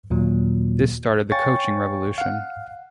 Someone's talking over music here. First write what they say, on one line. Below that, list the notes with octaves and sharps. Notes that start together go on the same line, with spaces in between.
This started the coaching revolution.
D#2 A#2 F#3
C#5 F5 G5 G#5 C#6 A6
F5 F#5